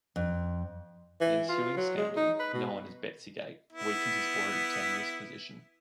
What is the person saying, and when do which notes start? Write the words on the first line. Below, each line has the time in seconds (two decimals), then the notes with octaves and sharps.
The ensuing scandal, known as "Betsygate", weakened his already tenuous position.
0.16 F2
1.21 E3
1.49 F4
1.77 F#3
1.97 G#3
2.17 D#4
2.40 B4
2.54 B2
3.73 B3 E4